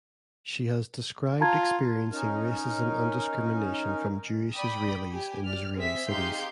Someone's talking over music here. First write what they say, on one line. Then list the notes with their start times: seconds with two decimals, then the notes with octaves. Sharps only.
She has described experiencing racism and discrimination from Jewish Israelis in Israeli cities.
1.41 F4 A5 A#5 G#6
2.11 C#4 D#4 A#4
4.53 D5 G5 B5 D#6
5.12 G4 G#5
5.46 D5 F6
5.76 C4 G#4 E5 B6
6.07 D#4 G4 G#4 F5 C6 G6